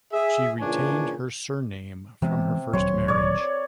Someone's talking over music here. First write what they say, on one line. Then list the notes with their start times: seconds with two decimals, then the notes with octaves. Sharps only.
She retained her surname from her first marriage.
0.12 G#4 E5
0.60 A#2 C#3 E3 D4 C#5 G#5
2.22 C3 E3 G#3 B3
2.73 D#1 D2 F#3 C#5 C6
3.08 C#5 D5